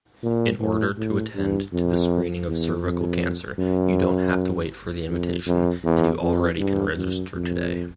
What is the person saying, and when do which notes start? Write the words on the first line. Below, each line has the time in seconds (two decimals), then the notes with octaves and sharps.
In order to attend to the screening of cervical cancer, you don’t have to wait for the invitation and you already can register today.
0.23 A#2
0.60 A2
0.98 A2
1.35 G2
1.73 F2
2.48 E2
2.85 F2
3.59 F#2
5.09 F2
5.47 F2
5.84 E2
6.21 F2
6.59 G2
6.97 F#2
7.34 F2